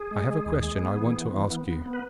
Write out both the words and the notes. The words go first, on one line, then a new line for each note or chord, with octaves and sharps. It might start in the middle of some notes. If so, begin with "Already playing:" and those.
'I have a question I want to ask you.'
Already playing: G#4
G#3
G#3
D#2
G#3
B3
E3
B3
E3
B3
B3
B3
B4